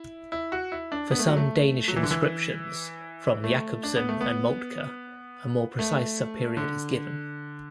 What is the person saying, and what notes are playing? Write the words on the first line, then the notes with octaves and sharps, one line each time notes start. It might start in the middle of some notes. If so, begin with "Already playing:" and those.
For some Danish inscriptions from Jacobsen and Moltke a more precise sub-period is given.
Already playing: E4
E4
F#4
E4
D4
B3
A3
F#3
A3
F#3
E3
D3
E3
A3
D4
B3
A3
B3
A3
D3